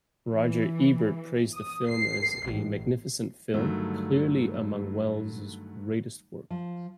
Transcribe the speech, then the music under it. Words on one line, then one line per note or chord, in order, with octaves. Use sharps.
Roger Ebert praised the film as a magnificent film, clearly among Welles' greatest work.
E3
D#6
C7
A1
G2 D3 D#3 F#3 A3
F3